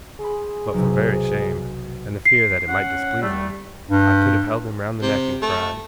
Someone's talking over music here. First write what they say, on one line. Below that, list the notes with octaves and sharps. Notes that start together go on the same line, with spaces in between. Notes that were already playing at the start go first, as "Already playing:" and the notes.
But for very shame, and the fear that it might displease him, I could have held him round the neck and cried.
G#4 B5 C6
B1 C3
C7
C#4 F#5
G3 A3
G2
C3
A3